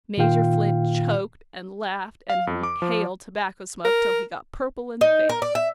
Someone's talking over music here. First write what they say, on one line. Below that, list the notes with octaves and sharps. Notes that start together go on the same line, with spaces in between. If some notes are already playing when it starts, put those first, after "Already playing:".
Major Flint choked and laughed and inhaled tobacco smoke till he got purple in the face.
A#2 D#3 F4 F5 G5
F5
F2
D6
F3
A#4
D#4
A#4
D5
E5